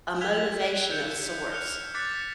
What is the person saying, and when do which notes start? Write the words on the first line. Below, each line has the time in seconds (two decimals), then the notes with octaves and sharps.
a motivation of sorts,
0.21 E6 F#6 G#6 B6 F7 G7
0.91 G6 C#7 E7
1.52 F6 F#6 C#7 F7
1.94 D6 F#6 A6 B6 C#7